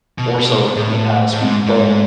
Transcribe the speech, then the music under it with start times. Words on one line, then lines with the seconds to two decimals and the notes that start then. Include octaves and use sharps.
more so in the past, b but
0.18 B2
0.76 A2
1.34 A2
1.45 G#2
1.66 G#2